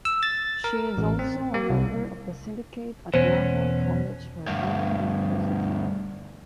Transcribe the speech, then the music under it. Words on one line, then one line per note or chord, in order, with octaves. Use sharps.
She is also a member of the Syndicate at Lahore College for Women University.
E6
A6
A#4
A1
C4
A#3
C2
E2 B2 C#4 C5
D2 G2